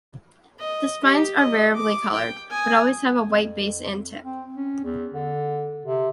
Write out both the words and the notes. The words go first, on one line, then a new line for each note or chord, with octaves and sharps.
The spines are variably colored, but always have a white base and tip.
D#5
G4
D#5
D6
G5
G#5 D#6
F2
C4
C#4
E2
D3
C3